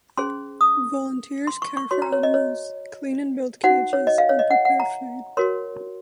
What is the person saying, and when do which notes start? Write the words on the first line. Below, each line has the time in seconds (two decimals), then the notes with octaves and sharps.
Volunteers care for animals, clean and build cages and prepare food.
0.18 C#4 G#4 C5 C6
0.61 D#6
1.47 C6
1.62 C#6
1.77 C#6
1.91 F#4 C#5 C6
2.02 A#5
2.12 C#5
2.23 D#5
2.34 C#5
3.64 D#4 F#4 C5 F#5
3.93 C#5
4.07 D#5
4.18 F5
4.29 C#5
4.39 D#5
4.51 F#5
4.65 F#5
4.80 A#5
5.37 F#4 A#4 C#5 C6